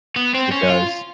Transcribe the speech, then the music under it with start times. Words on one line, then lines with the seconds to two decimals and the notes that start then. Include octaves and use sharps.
It does.
0.16 B3
0.34 C4
0.51 C#4
0.69 F4